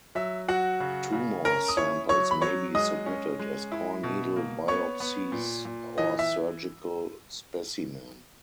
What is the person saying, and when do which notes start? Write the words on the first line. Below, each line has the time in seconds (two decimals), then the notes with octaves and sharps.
Tumor samples may be submitted as core needle biopsies or surgical specimen.
0.15 F#3 E5
0.48 F#3 F#4 F#5
0.80 C#3
1.12 C#3
1.45 C#4 A#4 A#5
1.69 D#6
1.77 E4 C#5 C#6
2.09 F#3 C#5 C#6
2.31 B5
2.41 F#3 C#5 C#6
2.75 G#3 D#5 D#6
3.06 C#4
3.39 G#3
3.72 E4
4.03 B2
4.36 A#3
4.68 B3 C#5 C#6
5.00 B3
5.32 A#2
5.65 A#2
5.98 E3 D#5
6.19 E5